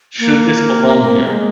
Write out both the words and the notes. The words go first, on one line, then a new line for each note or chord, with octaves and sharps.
"Should this belong here?"
A#3
A#3
G#3